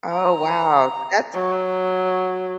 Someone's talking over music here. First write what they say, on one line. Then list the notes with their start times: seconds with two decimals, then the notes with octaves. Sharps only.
Oh, wow. That's
0.13 A#5
1.34 F#3